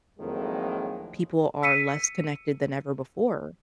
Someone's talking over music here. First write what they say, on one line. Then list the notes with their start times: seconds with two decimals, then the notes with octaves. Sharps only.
people are less connected than ever before.
0.19 F2 A2 D#3 F#3 G#3 A#3
1.63 E6 B6 C#7 D#7